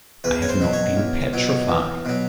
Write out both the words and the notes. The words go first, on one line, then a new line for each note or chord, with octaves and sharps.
I have not been petrified.
E2 B4
C#5
C5
B2 F#3
C#5
E2
B2 F#3
E2
B2 F#3